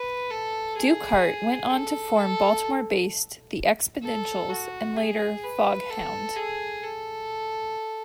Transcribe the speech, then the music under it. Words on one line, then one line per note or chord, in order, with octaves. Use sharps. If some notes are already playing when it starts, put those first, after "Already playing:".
Dukehart went on to form Baltimore-based The Expotentials and later Foghound.
Already playing: B4
A4
G#4
A4
A4
A4
F#4
G#4
B4
A4
G#4
A4